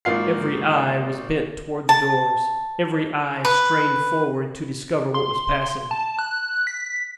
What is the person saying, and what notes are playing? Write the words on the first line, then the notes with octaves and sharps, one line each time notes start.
Every eye was bent toward the doors--every eye strained forward to discover what was passing.
G#1 A#3 F4 C7
A5
B4
C6
A5
F#6
B6